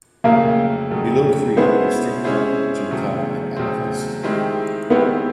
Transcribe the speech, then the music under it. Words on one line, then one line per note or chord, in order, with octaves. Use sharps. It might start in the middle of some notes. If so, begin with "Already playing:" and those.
Below Creede were Stringtown, Jimtown, and Amethyst.
F2 C#3 F#3 A3 A#3
F2 C#3 F#3 A3
G#3 B3 C#4 E4 G#4 C5
G#3 C#4 E4 G#4 C5
E2 C#3 F#3 A3 C4
E2 C#3 F#3 A3 C4
D#3 G#3 C4 E4 G4
D#3 G#3 B3 C4 E4 G4